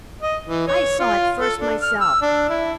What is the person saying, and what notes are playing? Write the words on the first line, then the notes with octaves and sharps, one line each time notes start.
I saw it first myself.
D#5
E3
C#5
F4
A4
D4
F6
E6
D4
E4